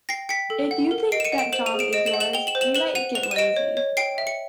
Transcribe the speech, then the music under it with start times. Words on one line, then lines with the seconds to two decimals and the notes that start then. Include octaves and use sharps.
If you think that job is yours, you might get lazy.
0.09 G5 A#6 C7
0.29 G5 B6 C#7
0.50 A4
0.71 F#5
0.91 A#4
1.12 D#5 C7 D7
1.20 E7
1.24 C#7 D#7
1.32 F#5
1.38 D7 E7
1.52 C5 E7 F#7
1.66 D#7 F7
1.73 G#4
1.79 D7 E7
1.93 D#5 D7 E7
2.06 E7 F#7
2.14 F#5
2.20 E7 F#7
2.33 G5 F7 G7
2.47 E7 F#7
2.55 C5
2.61 E7 F#7
2.75 B4 E7 F#7
2.95 F#5 D#7 F7
3.15 B4 F7
3.23 E7
3.31 D#7
3.36 D#5 D7 E7
3.57 C#5
3.77 C#5
3.97 G5 C7 D7
4.18 E5
4.27 C#7